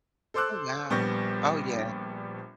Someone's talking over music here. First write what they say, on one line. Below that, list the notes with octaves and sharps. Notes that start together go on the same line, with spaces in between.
Oh, wow. Oh, yeah.
A4 C5 C6 D6 E6 F#6
A#1 G3 B3 C#6 G6 A#6